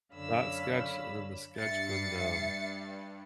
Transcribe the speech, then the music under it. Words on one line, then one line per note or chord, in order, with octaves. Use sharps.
That sketch and then the sketch when, um,
F#2 D3 C#5 F5 B5 E6
G2 E5 A6 C7 C#7